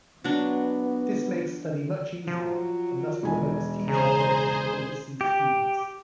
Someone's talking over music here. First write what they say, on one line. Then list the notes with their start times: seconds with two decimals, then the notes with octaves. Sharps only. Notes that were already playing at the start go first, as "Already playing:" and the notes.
This makes study much easier, and thus promotes teaching quality for overseas students.
0.24 F#3 B3 D4
2.27 F3 F#3
3.23 E1 G#5
3.88 C#3 G#4 C5 A#5
5.21 G4